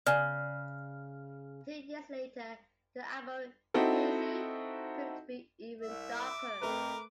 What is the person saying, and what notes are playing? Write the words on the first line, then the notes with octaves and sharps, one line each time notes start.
Two years later the album "Heresie" proved to be even darker.
C#3 D5 G#5 F6
C4 D#4 E4 F#4 A4
C2 E5
D6
F2 A3 A#4 B4